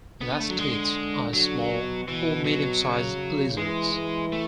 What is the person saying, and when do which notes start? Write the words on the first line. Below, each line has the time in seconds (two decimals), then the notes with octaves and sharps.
Lacertids are small or medium-sized lizards.
0.21 D3 B3
0.40 A3
0.50 F#3
0.58 G#3
1.33 D3 F#3
1.71 B2
2.08 B2 E3
2.45 F#3
2.83 C#3
3.57 E3 G#3
3.94 E3
4.32 A3